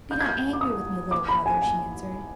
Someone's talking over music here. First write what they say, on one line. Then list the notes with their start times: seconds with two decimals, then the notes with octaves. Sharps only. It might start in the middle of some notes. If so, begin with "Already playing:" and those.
"Be not angry with me, little brother," she answered.
0.11 G6
0.21 G#6
0.29 G6
0.53 D6
0.61 D#6
1.11 D6
1.28 B5
1.46 G#5
1.62 G#5